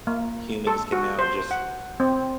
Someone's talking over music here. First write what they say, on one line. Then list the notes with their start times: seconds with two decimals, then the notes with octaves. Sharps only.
humans can now, just
0.07 A#3
0.67 A4
0.92 F#4
1.19 C5
1.51 F#5
2.00 C4